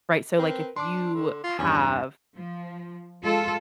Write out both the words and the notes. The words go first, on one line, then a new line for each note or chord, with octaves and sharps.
Right, so, like, if you have
C4 A#4 B4
D4 C6 D6
D3
F4
E2 G2 C#4
F3
G#3 F4 A4